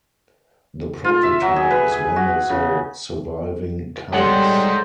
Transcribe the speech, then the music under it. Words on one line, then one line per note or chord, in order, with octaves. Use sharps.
The prototype is one of the surviving cars.
F4
E5
F#3
G#4
B4
G#4
F#4
C#3
G3 G#3 A4 C5 C#5 F#5